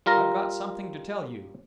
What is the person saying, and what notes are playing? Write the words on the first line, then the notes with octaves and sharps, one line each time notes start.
"I've got something to tell you."
G3 F4 A#4 A#5